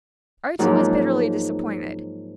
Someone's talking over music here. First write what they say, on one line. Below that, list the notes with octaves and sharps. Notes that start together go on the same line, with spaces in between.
Archie was bitterly disappointed.
G#2 F3 F#3 A#3